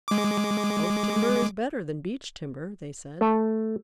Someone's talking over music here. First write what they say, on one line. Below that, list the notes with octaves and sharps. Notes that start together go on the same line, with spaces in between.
"Oak timber is better than Beech timber," they said.
G#3 D6
A3